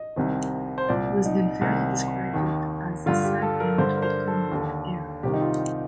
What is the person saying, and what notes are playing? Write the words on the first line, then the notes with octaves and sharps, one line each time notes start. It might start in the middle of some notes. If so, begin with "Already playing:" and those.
Wisden fairly described it as "a sad end to the Illingworth era".
Already playing: D#5
C2 C3 D#3
C5
C2 A#2 D5
D#4
C2 C3 D#3
D#2 D#3
G2 D3 F4
G4
A4
A#4
G2 D3 C5
A#4
C5
A4
D#2 D3
C2 C3 D#3 G4
D#4
F4